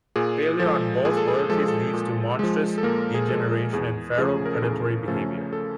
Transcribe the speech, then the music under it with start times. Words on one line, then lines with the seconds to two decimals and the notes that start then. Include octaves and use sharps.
Failure on both loyalties leads to monstrous degeneration and feral predatory behavior.
0.16 A#2 G#4
0.59 F3 A4
0.65 G#3
1.05 A#2 G#4
1.17 A4
1.28 G#4
1.49 F3 G#3 A4
1.59 G#4
1.68 A4
1.94 A#2
2.39 F3 G#3
2.78 A4
2.83 A#2 A#3 A#4
3.15 G#4
3.28 F3 G#3 A4
3.73 E2 G#4
4.18 C#3 F3 A3 C#4 G#4
4.46 A#4
4.53 A4
4.62 E2 G#4
5.08 C#3 F3 A3 C#4 A4
5.53 A4